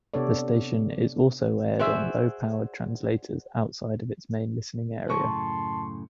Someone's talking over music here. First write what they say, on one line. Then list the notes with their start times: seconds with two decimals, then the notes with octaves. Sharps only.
The station is also aired on low-powered translators outside of its main listening area.
0.14 C3 B3 D4 A4 C#5 D5
1.79 F#4 G#4 C5 D5 E5
5.10 F#2 A2 C#3 A5 C6 C#6